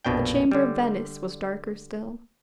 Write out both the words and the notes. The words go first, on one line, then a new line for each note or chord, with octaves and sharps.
The chamber of Venice was darker still.
A#1 F2 B2 D4 G5
D3 G3